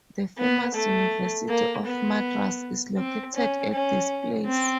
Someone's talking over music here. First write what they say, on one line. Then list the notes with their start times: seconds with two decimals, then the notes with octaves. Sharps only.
The famous University of Madras is located at this place.
0.38 B3
0.74 A3
1.49 A#3
1.86 B3
2.97 C4
3.35 C#4
3.72 C#4
4.46 C4